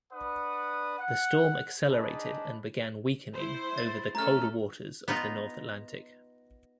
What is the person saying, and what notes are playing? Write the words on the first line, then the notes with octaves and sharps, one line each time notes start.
The storm accelerated and began weakening over the colder waters of the north Atlantic.
D4 B4 D5 F#5 D#6
F#5
D4 D#4 G#4 D#5 A5 B5
E4 C5
A6
A3 C#4 A4 A#5 F6
B3 D#4 F4